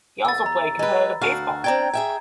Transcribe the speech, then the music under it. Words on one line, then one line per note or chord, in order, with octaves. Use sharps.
He also played competitive baseball.
E2 E6 A6
A#5
G#3 B4
D2 F#4 F5
C4 D4 G5 A#5 G#6
G#4 E5 G5